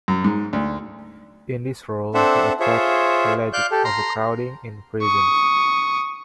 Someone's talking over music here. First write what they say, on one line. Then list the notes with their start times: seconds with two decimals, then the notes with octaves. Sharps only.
In this role, he attacked alleged overcrowding in prisons.
0.08 F#2
0.24 G#2
0.53 D2
2.14 C4 D4 A4 C5 E5 F#5
2.60 F4 G#4 C5 C#5 E5
3.53 D5 F5 F#6 G6
3.71 G4 A4
3.84 A#5 C6
5.02 C#6 D#6